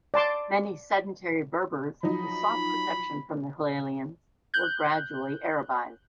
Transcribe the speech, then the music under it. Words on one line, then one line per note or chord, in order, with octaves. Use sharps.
Many sedentary Berbers who sought protection from the Hilalians were gradually Arabized.
D5 A5 C6 D6
F3 F#3 D#4 B5
F#6 G6